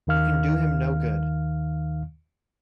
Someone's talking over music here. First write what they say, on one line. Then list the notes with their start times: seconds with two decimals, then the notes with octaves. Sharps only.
You can do him no good.
0.07 D#2 D#3 F5 F6